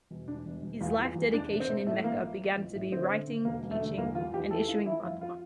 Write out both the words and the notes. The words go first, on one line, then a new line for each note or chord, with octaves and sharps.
His life dedication in Mecca began to be writing, teaching, and issuing fatwa.
E1
E1 D4
E1
E1
E2 F4
E2
E2
E2 D4
C3
C4
C3
A2 A3
A1 A#3
F3
F3
A1
A2
D3 C4
D3
D3
E1 A#3
E1
A3
D3
E2 A#3
E2 F4
E2 G4
E3 A4
E3 F4
E3 E4
F2 F4
F4